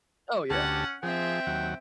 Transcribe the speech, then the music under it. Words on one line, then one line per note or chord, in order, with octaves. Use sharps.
Oh, yeah.
D2 C#4 G4 F#5 A5
F3 C4 G#4 E5 G5
D#2 F#3 F#5